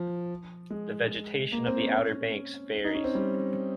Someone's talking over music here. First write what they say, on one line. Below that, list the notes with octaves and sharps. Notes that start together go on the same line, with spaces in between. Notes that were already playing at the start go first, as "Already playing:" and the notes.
The vegetation of the Outer Banks varies.
Already playing: F3
G#3
A#3
C4
C#4
C#4
D#4
C#4
C4
G3